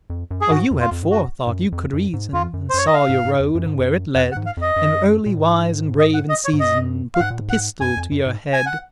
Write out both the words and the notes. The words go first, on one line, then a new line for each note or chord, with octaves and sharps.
Oh you had forethought, you could reason, And saw your road and where it led, And early wise and brave in season Put the pistol to your head.
F2
F#2
G#4
G#2 F#4
F2
F4
F2
G#2
F#2 F#4
G#2
F#2
F2
F#2
G#2
F2 F4
F#2
C5
F#2 C#5
D#5
F5
G#2
G#2
F2
F#2
G#2
F#2
F2 F#5
F#5
G#2
F5
F2 D#5
F#2
A#2
G#2
D#5
F#5
D#5
C#5
G#2
F#2 D#5
F5
G#2 F#5
A#2
G#2
F#5
F#2 G#5
F2
F#2
G#2
G#5
F#5